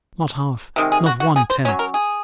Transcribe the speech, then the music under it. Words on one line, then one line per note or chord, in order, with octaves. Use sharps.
Not half--not one-tenth.
C3 D#3 G#3
G#4
F#4
F#4
G#4
C5
F#3 C#4 C#5
A#4
G#4